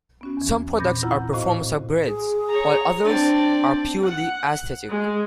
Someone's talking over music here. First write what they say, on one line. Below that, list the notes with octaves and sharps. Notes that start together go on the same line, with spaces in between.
Some products are performance upgrades, while others are purely aesthetic.
B3 C#4 F#4
E2 E3
A#2 C4 B5 G6 A6 A#6
E4 F4 F#5 A#5
A2 C4 F#4 C5 D#5 F5
G#4
C#5 A#5
C4 D4 D5
F#5
G#3